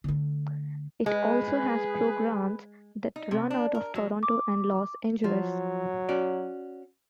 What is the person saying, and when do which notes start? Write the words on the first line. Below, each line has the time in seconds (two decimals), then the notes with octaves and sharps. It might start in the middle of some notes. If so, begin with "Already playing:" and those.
It also has programs that run out of Toronto and Los Angeles.
0.04 D3 A3
1.06 G#3 G#4 B4
3.16 D#4
3.31 C3
3.50 D4
3.75 A#4
3.95 F#3
4.23 D6
5.24 F3 F#3
6.09 C#4 F#4 D5